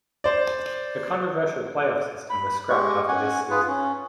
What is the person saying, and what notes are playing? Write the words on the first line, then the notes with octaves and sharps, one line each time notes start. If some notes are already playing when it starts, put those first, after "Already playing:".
The controversial play-off system was scrapped after this season.
C5 D5
B5
G#3 G4 C#6
C#4 F#5 G#5
F4 G#4 B4
C#4